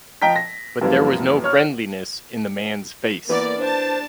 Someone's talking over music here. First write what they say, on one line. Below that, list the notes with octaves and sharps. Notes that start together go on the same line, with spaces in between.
But there was no friendliness in the man's face.
F3 D#5 G5 A#5 B6
A#6
F#2 E3 F3 G3 A#3
C#5 F6
E3 A#3 B3 D5
D4 C5 A5